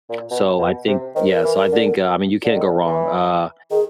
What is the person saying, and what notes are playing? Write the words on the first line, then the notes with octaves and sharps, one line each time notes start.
So I think yeah. So I think, uh I mean, you can't go wrong, uh,
A#2
B2
B2
C3
D#3 C5
A#4
E3
D3
D3
D#3
D3
E3
D#3 G#4